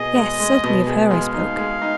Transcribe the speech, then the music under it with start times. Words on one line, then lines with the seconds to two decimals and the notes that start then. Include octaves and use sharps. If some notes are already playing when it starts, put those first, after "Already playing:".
"Yes, certainly, of her I spoke."
Already playing: B2 G#4 D#5
0.16 G#3
0.40 G#3
0.63 B2
0.87 G#4
1.10 G#3 F5
1.34 D#4
1.58 G#3
1.82 D#4